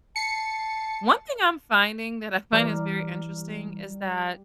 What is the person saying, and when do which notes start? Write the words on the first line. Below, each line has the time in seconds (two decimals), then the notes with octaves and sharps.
one thing I'm finding that I find is very interesting is that
0.16 A5 C7 C#7
2.53 E3 G3 D5 A#5 F6